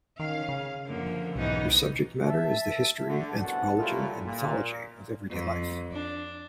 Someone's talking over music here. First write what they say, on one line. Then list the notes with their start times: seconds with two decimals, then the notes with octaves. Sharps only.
Her subject matter is the history, anthropology, and mythology of everyday life.
0.20 D#3 C#4 F5
0.48 C#3
0.86 F#2 D3 F3 A#3
1.35 B1 F2 G#2 E3 B3 C#4 D#4
2.29 E5 A5
3.07 D3 A3
3.41 C2 F#2 B2 F#4 F#5 A5
3.77 A#2 F#3 G3 E4 F4 A4
4.25 A#2
5.32 F2
5.92 D4